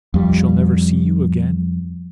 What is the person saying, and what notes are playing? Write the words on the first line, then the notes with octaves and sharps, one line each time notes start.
"We shall never see you again?"
F2 G3